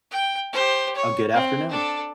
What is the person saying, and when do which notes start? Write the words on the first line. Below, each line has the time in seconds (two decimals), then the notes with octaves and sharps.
a good afternoon.
0.11 G5
0.53 G4 C5
0.96 C#5
1.33 C4
1.69 D4 A4